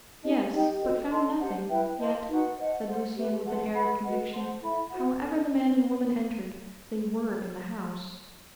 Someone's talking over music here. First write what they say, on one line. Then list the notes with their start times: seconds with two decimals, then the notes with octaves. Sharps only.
"Yes, but found nothing; yet," said Lucian, with an air of conviction, "however the man and woman entered, they were in the house."
0.22 D#4 G4 D#5 A5
0.51 D#4 G4 D#5 G5
0.81 F#4 A4 C5 D#5
1.09 A4 D#5 A5 C6
1.39 G4 C5 F#5 A5
1.68 E4 B4 E5 G5
1.97 C5 D#5 A5 C6
2.27 D#4 F#4 B4 F#5
2.56 C5 D#5 F#5 A5
2.86 C5 F#5 C6
3.14 G4 B4 E5
3.44 B4 F#5 A5 C6
3.74 B4 F#5 B5
4.03 F#4 B4 D#5 F#5
4.32 C5 F#5 A5 C6
4.61 E4 A4 E5 B5
4.90 F#4 C5 F#5
5.19 A4